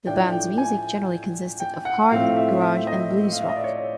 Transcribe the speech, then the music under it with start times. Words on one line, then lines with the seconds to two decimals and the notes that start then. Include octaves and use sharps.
The band's music generally consisted of hard, garage and blues rock.
0.06 A2 F3 A3 D4 G5
0.32 G5
0.58 G#5
1.60 G5
1.85 F#5
2.11 A2 F3 A3 C4 F5
2.29 F5
2.37 E5
2.62 E5
2.87 D#5
3.33 F5
3.41 E5
3.49 D#5
3.56 D5
3.64 C#5